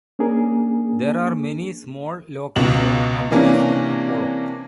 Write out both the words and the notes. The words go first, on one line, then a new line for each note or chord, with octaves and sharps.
There are many small locally owned companies in Apollo.
A#3 C#4 D4 G#4 A#4
C#2 B2 F#7
C3 E3 A#3 C#4 D4